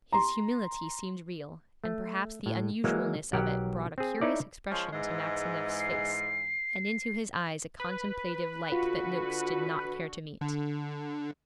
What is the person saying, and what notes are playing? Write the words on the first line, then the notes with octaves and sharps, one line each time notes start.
His humility seemed real, and perhaps the unusualness of it brought a curious expression to Maxineff's face, and into his eyes a contemplative light that Noakes did not care to meet.
A#5 C6
A3
A2
E3 F#3 G#3 A#3
B1 F#3 G4 A#4 F#5
C4 G#4
D#4 E4 A4 C#5 D5
F3 G#3 C#4
G#2 E3 G#3
C7
B4
D3 F4 F#4
D3